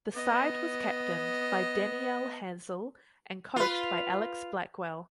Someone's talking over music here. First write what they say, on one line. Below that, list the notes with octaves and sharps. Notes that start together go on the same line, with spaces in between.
The side was captained by Danielle Hazell and coached by Alex Blackwell.
B3 D#5
F4 B4